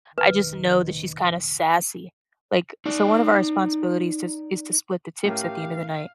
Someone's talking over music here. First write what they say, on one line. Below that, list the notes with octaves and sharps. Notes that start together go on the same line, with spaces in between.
I just know that she's kinda sassy. Like so one of our responsibilities is is to split the tips at the end of the night,
F1 A#1 D#3 B4
D#4 D5
A2 C#4 G4 A#4 F5